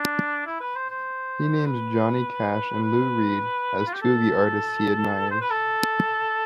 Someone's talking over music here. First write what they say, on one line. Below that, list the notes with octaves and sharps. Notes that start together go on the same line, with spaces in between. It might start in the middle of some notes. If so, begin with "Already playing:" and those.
He names Johnny Cash and Lou Reed as two of the artists he admires.
Already playing: D4
E4
B4
C5
C5
B4
B4
F4
G4
A4
C5
B4
A4